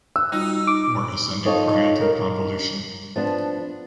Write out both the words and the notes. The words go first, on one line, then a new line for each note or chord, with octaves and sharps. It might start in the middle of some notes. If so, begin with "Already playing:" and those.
Or ascending parietal convolution.
E6 F#6
G3 D#4 F4 F#4
D6
D#4 F4 A4 C#5 D#5
A#4
F3 B3 D4